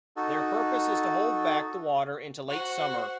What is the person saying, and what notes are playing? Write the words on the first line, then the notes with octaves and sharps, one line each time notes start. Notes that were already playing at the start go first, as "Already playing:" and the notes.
Their purpose is to hold back the water into late summer.
D#4 F#4 A4
F#4 C5 F#5